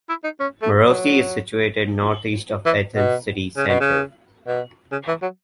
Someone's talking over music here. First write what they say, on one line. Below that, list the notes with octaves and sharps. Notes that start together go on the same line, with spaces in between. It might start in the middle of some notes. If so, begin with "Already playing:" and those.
Marousi is situated northeast of Athens city centre.
E4
D#4
C#4
A3
F#3
E3
B2
C#3
B2
C#3
B2
C#3
E3
F#3